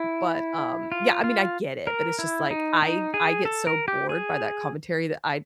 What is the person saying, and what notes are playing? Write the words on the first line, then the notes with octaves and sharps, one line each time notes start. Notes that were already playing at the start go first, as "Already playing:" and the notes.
but um, yeah, I mean I get it, but it's just like I I get so bored by that commentary that I
Already playing: E4
F4
F4
A#4
E4
D#4
D#4
G#4
A4
A#4
G4
G#4